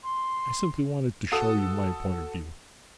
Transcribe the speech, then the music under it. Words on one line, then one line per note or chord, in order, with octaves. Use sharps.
I simply wanted to show you my point of view.
C6
F#4 A4 D#6